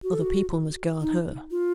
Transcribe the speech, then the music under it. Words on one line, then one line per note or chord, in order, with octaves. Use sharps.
Other people must guard her.
F#4
A4
F#4
D#4
F4